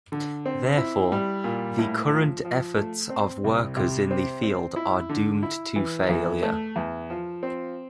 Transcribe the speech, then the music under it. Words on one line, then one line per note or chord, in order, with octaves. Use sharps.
Therefore, the current efforts of workers in the field are doomed to failure.
D3
C4
E4
G3
A#2
A2
F3
F3
A3
C4
C2
C3
C4
C4
E4
D3
E4
E3
E2
A3
E2
F3
C4